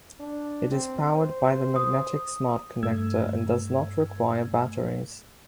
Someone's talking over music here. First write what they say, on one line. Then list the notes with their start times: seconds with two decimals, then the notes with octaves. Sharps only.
It is powered by the magnetic Smart Connector and does not require batteries.
0.20 D4
0.71 C4
1.15 C5
1.76 D#6
2.83 G2 A3 E6 G#6